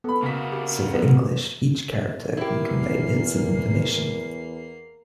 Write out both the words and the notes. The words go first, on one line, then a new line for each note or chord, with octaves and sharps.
So for English each character can convey bits of information.
B3 A4 B5
C#3 A#3 F#4 A#4 B6
G4
B3
E2 A#3 E4 G4 A#4 C7